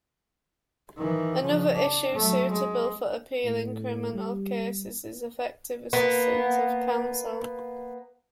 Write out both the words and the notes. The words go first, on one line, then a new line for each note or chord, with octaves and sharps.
Another issue suitable for appeal in criminal cases is effective assistance of counsel.
D#3 E3
C#3 F3
D4
F#3 A3
G#3
A2
G3
A#3 B3